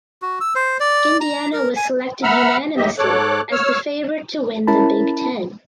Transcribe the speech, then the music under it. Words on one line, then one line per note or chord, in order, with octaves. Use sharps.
Indiana was selected unanimously as the favorite to win the Big Ten.
F#4
E6
C5
D5
A#5
A#4
G#5
E5 F#5 A#5 B5 E6 F6
E2 D#3 F#3 G4 D#5 E5
G#2 A4 C#5 D6 F#6
C#5 E6 F6
C#4 E4 A#4 A5 B5